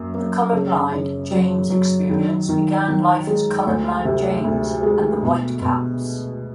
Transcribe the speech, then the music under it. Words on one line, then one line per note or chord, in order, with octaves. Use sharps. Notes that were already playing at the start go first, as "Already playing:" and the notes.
The Colorblind James Experience began life as Colorblind James and The White Caps.
Already playing: F#2 A#3
A#3
C#3
C#3
F#3
F#3
D#3
D#3
D#3
G#3
D2
C3
D2
G#3
B2
B2